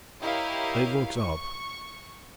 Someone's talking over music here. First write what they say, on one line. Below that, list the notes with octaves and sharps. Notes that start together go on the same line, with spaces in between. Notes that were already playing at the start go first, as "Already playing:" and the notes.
They looked up.
E4 G4 A#4 C#5 D#5 F5
C#6